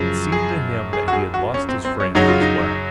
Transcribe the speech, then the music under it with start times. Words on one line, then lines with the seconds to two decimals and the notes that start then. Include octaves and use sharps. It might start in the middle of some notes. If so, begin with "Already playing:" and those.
It seemed to him that he had lost his friend as well.
Already playing: F#2 C#3 F3
0.32 G#4
0.93 G#4
1.08 F#4
1.13 G#4
1.34 F#4
1.54 C#4
1.69 C4
1.85 C4
2.00 C#4
2.15 F#2 C#3 F#3 D#4
2.28 F4
2.41 D#4